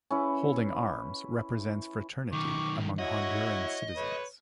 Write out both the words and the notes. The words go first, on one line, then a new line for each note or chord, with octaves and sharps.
Holding arms represent fraternity among Honduran citizens.
C#4 E4 B4
B1 D#3 C#6 D6
E4 F#4 C#5 D#5
B4 C#5